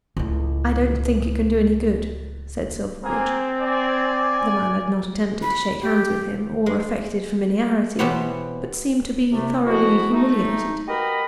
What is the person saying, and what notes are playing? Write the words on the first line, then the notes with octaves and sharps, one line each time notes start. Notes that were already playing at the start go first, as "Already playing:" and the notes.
"I don't think it can do any good," said Silverbridge. The man had not attempted to shake hands with him, or affected familiarity; but seemed to be thoroughly humiliated.
C#2 A2
A#3 C4 G#4 A#4
D5 G#5
B5
G4
G#3
B2 E3 B3 G4 C5 C#5
C2 C3 A3
G#2 B2 F3 B3 E4 F#4
A3 D#4
F#4 G4 A#4 B4 D#5 B5